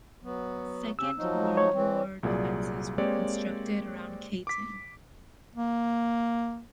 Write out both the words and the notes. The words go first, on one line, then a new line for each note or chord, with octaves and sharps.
Second World War defences were constructed around Cayton.
F#3 B3
C#3 C#4 G4 E6
F3 F#3 D#4
C#5
E3 C4
C2 A#2 F#3 G#4 D5
G#3 A#3 C4 G4 C#5 D5
D6 B6
A#3